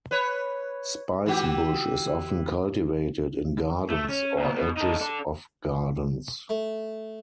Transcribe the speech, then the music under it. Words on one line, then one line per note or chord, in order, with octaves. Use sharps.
Spicebush is often cultivated in gardens or edges of gardens.
B4 C#5
E3 F#4 G4
A3
C#4
A#2 B3
B2
D#4 A4
D4 A4
A3